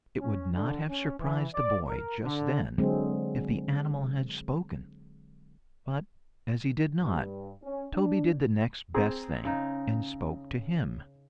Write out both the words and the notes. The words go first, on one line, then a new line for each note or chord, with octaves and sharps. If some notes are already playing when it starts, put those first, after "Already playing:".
It would not have surprised the boy just then if the animal had spoken; but as he did not, Toby did the next best thing, and spoke to him.
C#4
D3
C#4
E3
D5
A#4
D3
D3 F#3 G#3 C4
G2
C#4
D4
C4 G#4 A#5
C#3 D#4